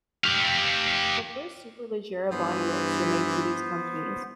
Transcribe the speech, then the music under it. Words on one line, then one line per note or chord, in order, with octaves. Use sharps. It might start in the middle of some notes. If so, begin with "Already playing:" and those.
The first superleggera bodyworks were made for these companies.
G4 F5
G2 E3 B3 C5